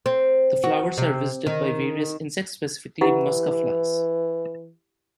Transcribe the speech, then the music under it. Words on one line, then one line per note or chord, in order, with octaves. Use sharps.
The flowers are visited by various insects, specifically "Musca" flies.
C4
F#4
C3
D#3
E3 E4 G4 F#5